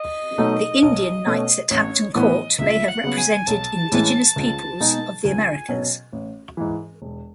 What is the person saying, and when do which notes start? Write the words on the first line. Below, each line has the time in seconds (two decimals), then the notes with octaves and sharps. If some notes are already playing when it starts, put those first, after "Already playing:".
The Indian knights at Hampton Court may have represented Indigenous peoples of the Americas.
Already playing: D#5
0.38 B2 F#3 A3 D#4
0.82 B1
1.26 B2 A3 C#4
1.70 A1 C#5
2.14 A2 E3 B3 D#5
2.59 C#2 E5
2.88 F#5
3.04 C#3 F#3 B3
3.18 G#5
3.47 B1 A5
3.92 A2 E3 G#3 C#4
4.36 C#2
4.80 B2 G#3 D#4 G#4
5.24 C#2 G#5
5.68 B2 F#3 C#4
6.12 A1
6.57 G#2 E3
7.02 E1